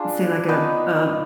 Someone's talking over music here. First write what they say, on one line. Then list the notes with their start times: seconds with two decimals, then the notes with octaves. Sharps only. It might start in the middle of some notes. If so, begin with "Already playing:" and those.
say, like, a a
Already playing: D4 F4 G#4 B4
0.48 B3 D#4 B4 D5